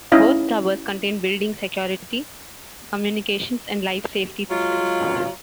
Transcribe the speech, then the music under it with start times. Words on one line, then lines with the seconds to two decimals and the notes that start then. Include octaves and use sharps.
Both towers contain building security, communications, and life-safety systems.
0.12 C#4 D#4 E4 D#5 F5
4.50 F#3 G#3 F4